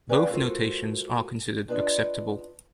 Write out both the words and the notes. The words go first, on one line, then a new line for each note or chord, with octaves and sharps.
Both notations are considered acceptable.
C#4 B4 D5 F5 G5
G#3 F4 F#4 A4 A#4 C5
D4 F4 B4 D5 D#5